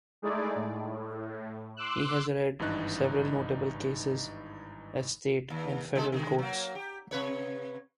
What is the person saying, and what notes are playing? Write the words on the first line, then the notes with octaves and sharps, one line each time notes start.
He had led several notable cases at state and federal courts.
G#3 A3 D#4 E4 G#4 D5
A2
C6 D6 E6 F#6
G#1 G2 E3 D#4 F#6
D#2
D3 G#3 A4
D3 D#3 G#3
F#3 A#3
G4
C3 B4 C#5